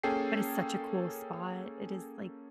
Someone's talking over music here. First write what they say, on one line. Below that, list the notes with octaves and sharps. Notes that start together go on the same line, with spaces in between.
but it's such a cool spot. It is, like,
A#3 C#4 G#4 A4 G5 C7